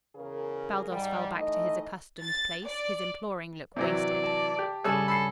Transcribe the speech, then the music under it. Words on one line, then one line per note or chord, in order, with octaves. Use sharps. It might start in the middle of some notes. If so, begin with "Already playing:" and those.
Baldos fell back to his accustomed place, his imploring look wasted.
E2 C#3 G#4 A#4
G#2 G3
E3 A3 D#4 D#5
A6
D5
C3 E3 F#3 D5
A5
G4
G2 C#3 G#4 A4 C#5 G#5 E6
A4 B5 C7